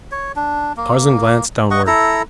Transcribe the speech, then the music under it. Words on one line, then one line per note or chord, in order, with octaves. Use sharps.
Tarzan glanced downward.
C#5
D4
A#3
D#5 F#5 C#6
E4 A4 A#5